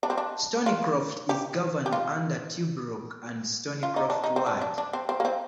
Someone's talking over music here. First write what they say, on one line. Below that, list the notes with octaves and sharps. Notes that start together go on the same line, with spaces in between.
Stoneycroft is governed under Tuebrook and Stoneycroft ward.
D4
C4
D4
F4
G4
G4
F4
F4
D#4
D4
D#4
C4
D4
D4
D4
C4
C4
A#3
C4